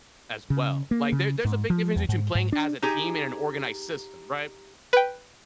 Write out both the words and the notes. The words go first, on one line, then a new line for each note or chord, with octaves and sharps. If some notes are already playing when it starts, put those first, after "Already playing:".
as well. Like, there there's a big difference between playing as a team in an organized system, right?
C#3
A#3
C#3
G#2
F3
E2
G#2
G#2
D4
D#4 G4 G#4
B4 G5